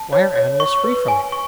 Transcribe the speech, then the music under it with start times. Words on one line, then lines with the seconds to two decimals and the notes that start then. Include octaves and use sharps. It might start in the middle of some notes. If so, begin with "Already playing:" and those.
Why are animals free from it?
Already playing: A5
0.13 C#5
0.36 C#5
0.60 C#6
0.84 B4
1.08 G#5
1.32 C#6